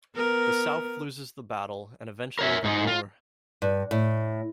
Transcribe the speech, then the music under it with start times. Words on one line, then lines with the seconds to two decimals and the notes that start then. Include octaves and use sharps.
The South loses the battle, and eventually the war.
0.15 B3 A#4
2.39 A#4 C#5 E5
2.64 G#2 D#4
2.87 F4
3.62 G2
3.91 A2